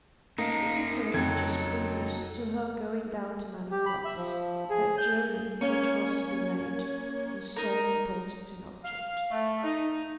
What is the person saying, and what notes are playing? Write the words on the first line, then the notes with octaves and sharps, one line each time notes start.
This occurred just previous to her going down to Manor Cross,--that journey which was to be made for so important an object.
A#3 C#4 D#4 A#4 F5
F2 C#3 F#3 A4 G#6
G4
B5
E5
F3
G#4
G6
A#3 C#4 C#5 G#6
D#4 A#4
F5
A3
D#4